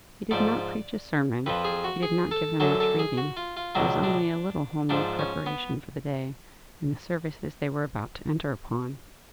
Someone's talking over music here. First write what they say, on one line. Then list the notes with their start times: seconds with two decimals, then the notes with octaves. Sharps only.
He did not preach a sermon; he did not give them much reading; it was only a little homely preparation for the day and the services they were about to enter upon.
0.31 G#2 F3 D5
1.46 F2 F3 B4
1.64 G#4
1.84 F#4
2.03 G#4
2.31 A4
2.60 F#2 D3 F#3 A4
2.80 A4
2.99 G#4
3.17 F#4
3.37 F4
3.57 F4
3.75 C#2 B2 F#3 D4
4.03 D4
4.89 G#2 F3 D4
5.19 C#4
5.46 B3